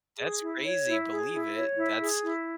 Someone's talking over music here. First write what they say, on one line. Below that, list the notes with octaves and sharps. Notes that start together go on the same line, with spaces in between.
That's crazy, believe it, that's
G#4
E4
C#5
E4
G#4
E4
C#5
E4
G#4
E4